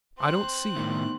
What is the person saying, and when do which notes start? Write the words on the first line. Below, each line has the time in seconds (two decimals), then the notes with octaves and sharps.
I don't see.
0.18 C4 C6 F#6
0.76 A2 D#3 B3 D#4